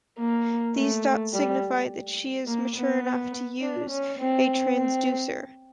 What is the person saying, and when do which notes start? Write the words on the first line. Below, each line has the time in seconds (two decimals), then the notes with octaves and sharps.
These dots signify that she is mature enough to use a Transducer.
0.19 A#3
0.76 A3
1.33 G3
2.47 A#3
2.77 B3
3.61 D4
3.90 C#4
4.19 C4
4.76 C4